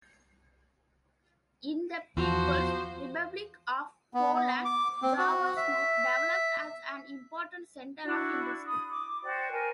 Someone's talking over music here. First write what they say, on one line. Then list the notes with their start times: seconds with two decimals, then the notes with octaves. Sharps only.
In the People's Republic of Poland Jaworzno developed as an important center of industry.
2.17 E2 F3 F#4 C5
4.14 B3
4.34 B3
4.65 D6
5.02 C4
5.18 F#4
5.57 E5
8.04 D4 E4 F#4
8.65 B5 D#6
8.90 D6
9.22 F#4 C5 D5 G5
9.50 A#4 G5 G#5